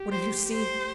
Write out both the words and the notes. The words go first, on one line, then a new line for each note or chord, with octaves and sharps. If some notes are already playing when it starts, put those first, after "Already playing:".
What have you seen?
Already playing: G4
C5
C5